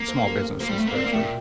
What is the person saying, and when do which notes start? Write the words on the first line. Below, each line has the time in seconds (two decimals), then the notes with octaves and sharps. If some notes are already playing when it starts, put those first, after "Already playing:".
small businesses, especially.
Already playing: A#3
0.08 A4 C5
0.26 G4 A#4
0.60 A#3 A4 C5
0.69 G3
0.78 A3
0.86 A#3
0.95 C4 A#4 D5
1.04 A#3
1.12 A3 E5 G5
1.21 A#2